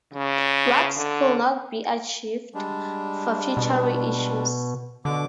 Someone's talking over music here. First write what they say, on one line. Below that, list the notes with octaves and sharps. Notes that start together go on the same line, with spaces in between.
Wax could not be archived for future reissues.
C#3
D3
G3 G#3 D4
B2
B2 D3 D6